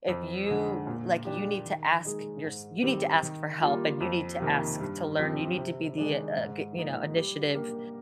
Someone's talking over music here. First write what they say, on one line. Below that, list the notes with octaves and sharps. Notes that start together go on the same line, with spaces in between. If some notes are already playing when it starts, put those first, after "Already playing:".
if you like, you need to ask yours you need to ask for help, and you need to ask to learn. You need to be the uh, you know, initiative,
F2
D3 G#3
A#2
G3 D4 G4
D#3
G#3 D#4 G#4
G#2
D#3 G3 C4
D#3
G3 A#3 F4
F2
C3 D#3 A#3
G2
F3 C4 G4
C3
D#3 G#3 D4
G#2
F3 A#3 D#4
G3
A#3 D4 G4 A#4